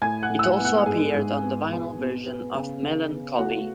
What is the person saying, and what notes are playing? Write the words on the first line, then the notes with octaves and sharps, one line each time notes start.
It also appeared on the vinyl version of "Mellon Collie".
A2 G#5 G#6
F#5 F#6
A2
E6
F#5 F#6
B3
F#5 F#6
G#2 G#4 G#5
G#2
B3
B2
B2
B3
C#3
C#3
B3
A3 F#4 F#5